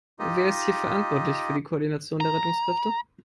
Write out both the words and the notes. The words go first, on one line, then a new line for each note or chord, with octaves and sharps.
Wer ist hier verantwortlich für die Koordination der Rettungskräfte?
D#4 F4 G4 D#5
A#5